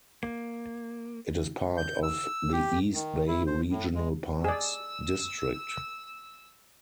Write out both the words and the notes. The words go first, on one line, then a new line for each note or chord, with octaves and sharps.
It is part of the East Bay Regional Parks District.
A#3
G6
E6
G4
D#3
E4
C5
A2
G#3
G#4 D5 E6